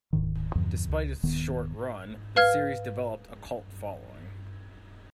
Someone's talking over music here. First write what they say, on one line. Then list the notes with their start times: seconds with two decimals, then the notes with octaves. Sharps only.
Despite its short run, the series developed a cult following.
0.13 D1 G#2 D#3
0.55 E2 G2 D3 F3
0.89 C#2
1.23 D#1 D#3 B3
2.36 B4 F5 F6 G#6